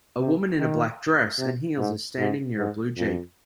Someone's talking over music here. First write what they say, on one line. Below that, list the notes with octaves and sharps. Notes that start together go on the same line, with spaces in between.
A woman in a black dress and heels is standing near a blue Jeep.
C3
D#3
C3
G#2
G#2
G#2
F2